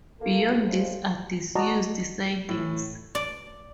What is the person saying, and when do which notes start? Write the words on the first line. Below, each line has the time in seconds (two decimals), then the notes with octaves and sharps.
Beyond this are disused sidings.
0.21 A#3 F4 A4
0.66 A1 C3 F3 F4
1.55 F#4 D5 D#5 A5 A#5
2.49 A2
3.15 D5